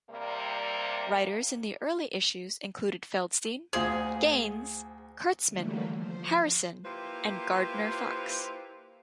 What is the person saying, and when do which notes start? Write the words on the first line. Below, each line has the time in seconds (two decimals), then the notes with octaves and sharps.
Writers in the early issues included Feldstein, Gaines, Kurtzman, Harrison and Gardner Fox.
0.11 C3 G3 A#3
3.73 D2 F4 G#4 C5
5.47 D3 E3 F#3 G3 A3 A#3
5.94 F3 C5
6.85 A#3 E4 F4 G4 B4 C5